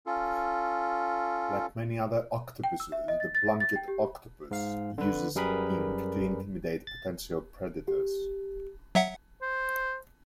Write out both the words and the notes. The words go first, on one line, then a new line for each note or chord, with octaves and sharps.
Like many other octopuses, the blanket octopus uses ink to intimidate potential predators.
C#4 F4 A4
G5
E6
E5
D#5
A6
A6
E5
A6
G5
G4
G#2 F5
D3 B4
F#2 G3 G#4 A#4 B4 B5
A6
G4
F#3 E5 F#5
C5